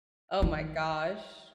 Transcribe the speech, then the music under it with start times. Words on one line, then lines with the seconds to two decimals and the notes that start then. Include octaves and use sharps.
oh my gosh.
0.42 D#3